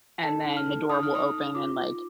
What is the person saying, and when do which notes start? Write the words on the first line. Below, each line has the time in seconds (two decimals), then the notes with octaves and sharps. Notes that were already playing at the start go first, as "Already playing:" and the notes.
And then the door will open, and, like,
0.23 A4 A5
0.45 D#4
0.57 F6
0.68 A4
0.89 D#4 D#6
1.03 F6
1.11 D#4 D#6
1.33 D#4
1.55 F4 D6
1.77 F4